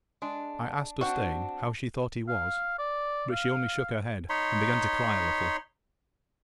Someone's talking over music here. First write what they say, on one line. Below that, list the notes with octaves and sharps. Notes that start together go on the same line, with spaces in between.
I asked Ustane how she thought he was; but she only shook her head and began to cry a little.
G#3 D4
C4 D4 F#4 F#5
F5
D5
F5
D#4 C#5 B5 C6